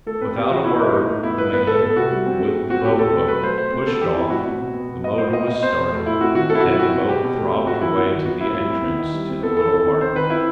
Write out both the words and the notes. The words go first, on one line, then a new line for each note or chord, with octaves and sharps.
Without a word the man with the boat-hook pushed off, the motor was started and the boat throbbed her way to the entrance to the little harbour.
A3 A4
C4 B4
B3 G4
E3 F#4
B3 E4
D#4
B2 E4
A3 D#4
A2
B3 E4
A2 B4
B3 B4
A2 A4
B3 A4
C3 F#4
G3
C4
A3
C4
C4 F#4
A2 G4
C4 A4
B2
F#3 B4
A3 C5
A3 C5
C4
B3 A4
E3 G4
C4 E4
A2 F#4
C4
B2
B3
B2
B3 D#5
A2 C5
B3 D#5
B2 D#5
C4 C5
B2
A3
A2 E4
C4 F#4
D#3 F#4
C4 A4
E4
B2 F#4
E4
C4 F#4
B2
C4 G4
B2
A3
C4
C4 F#4
E3 E4
B3 F#4
D#3
B3 F#4
A2 E4
G3 E4
C4
B3
D#3
G3
C4
B3 A4
E3 A4
C4 A4
D#3
C4 C5
D#3 B4
C4 E4